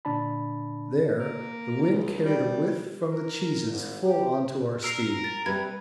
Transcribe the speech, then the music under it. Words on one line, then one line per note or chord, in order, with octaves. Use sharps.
There, the wind carried a whiff from the cheeses full on to our steed.
A#2 D3 D4 A5 B5
A#3
C#2
G3
A#4
G#1
G4
A#4 E6 C7 F7
A6
C3 G3 B4 G#6